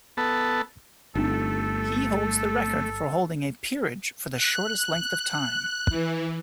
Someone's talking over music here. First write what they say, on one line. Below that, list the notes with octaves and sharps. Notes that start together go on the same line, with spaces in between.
He holds the record for holding a peerage for the shortest length of time.
B3 A4
G1 A3 C4 D4 D#4 A4
F#6
E3